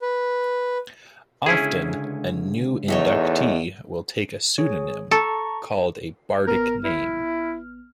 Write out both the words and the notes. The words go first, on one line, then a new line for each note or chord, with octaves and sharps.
Often a new inductee will take a pseudonym, called a bardic name.
B4
C#2 D3 C#4 E4 G#4 G#5
E2 A3 D#4 C#5
G#4 C#5
A4 A5 A#5 C#6
A1 B3 A#4 F6
E4